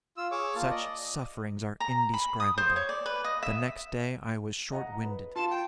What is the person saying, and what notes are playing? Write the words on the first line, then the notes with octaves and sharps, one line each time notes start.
Such sufferings are indescribable. The next day I was short-winded.
F4 E6
G#4 C#5 C#6 D6 E6
A#3 F4 A5
D5 D#5
A#5
B5
D#6
C5
C#5
D5
B4
D#5
E5
D#5 F#5 A#5
B4
F4 A5
G5